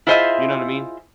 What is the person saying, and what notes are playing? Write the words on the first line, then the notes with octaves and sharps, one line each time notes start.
You know what I mean?
E4 F4 G#4 C5 D#5 E5